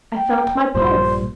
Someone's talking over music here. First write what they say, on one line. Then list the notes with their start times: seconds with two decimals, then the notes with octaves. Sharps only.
I felt my pulse.
0.17 G5
0.74 A#1 G2 A#2 C5